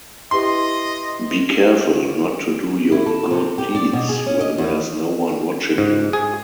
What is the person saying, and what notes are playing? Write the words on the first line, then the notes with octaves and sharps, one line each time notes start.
Be careful not to do your good deeds when there's no one watching you.
E4 G4 B4 D#5 C6
E4
A4
C3
G4
D5
B2
G#4
C#4
D#5
E2
G#2
G#4